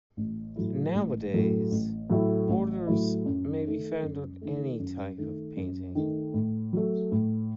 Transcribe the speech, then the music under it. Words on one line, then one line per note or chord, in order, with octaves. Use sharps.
Nowadays, borders may be found on any type of painting.
A1
A2 F#3 A3 E4
A1
A2 F#3 A3 E4
A1
A2 F#3 A3 E4
A1
A2 F#3 A3 E4
F#2
D#3 A3
F#2
D#3 A3
F#2
D#3 A3
F#2
D#3 A3
A2
F#3 A3
A2